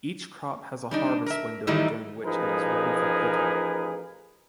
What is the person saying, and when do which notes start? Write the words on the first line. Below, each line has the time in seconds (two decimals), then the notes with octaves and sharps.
Each crop has a harvest window during which it is ready for picking.
0.91 G3 D4 D#4
1.26 A#4 E5
1.67 D#3 E3 G3 A3 D#4 E4
2.25 A1 F3 D#4 G#4 A#4 B4